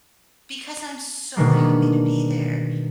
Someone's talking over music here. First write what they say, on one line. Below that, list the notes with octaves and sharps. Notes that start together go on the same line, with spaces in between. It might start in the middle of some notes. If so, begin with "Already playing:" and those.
because I'm so happy to be there,
B2 D3 D#3 G3 G#3 A#3